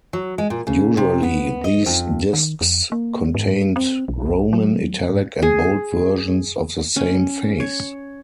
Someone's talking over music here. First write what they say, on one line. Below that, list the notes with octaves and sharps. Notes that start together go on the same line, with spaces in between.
Usually these disks contained roman, italic and bold versions of the same face.
F#3
G#3
A#2
C#3
C3
B3
D#5
F2
D#3
F2
A#3
G#2
C4
B1
F#3
G#2
G#4
C#4
C#5